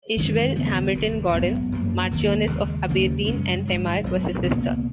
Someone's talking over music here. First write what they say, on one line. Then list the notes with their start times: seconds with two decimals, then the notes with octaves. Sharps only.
Ishbel Hamilton-Gordon, Marchioness of Aberdeen and Temair, was his sister.
0.17 F#2 D#3 G#3 C#4
0.56 D#2 C#3 F3 B3
0.94 F1 D#2 D#3
1.33 A#1 G#2 F#3 B3
1.72 F#2 F3 A#3
2.10 F1 D#2 D#3 A#3
2.49 D#2 C#3 G#3
2.88 D#2 C#3 F3 A#3
3.26 F#2 C#3 G#3 C#4
3.65 G#1 G#2 F#3
4.04 B1 A#2 F#3
4.43 C#2 B2 A#3 C#4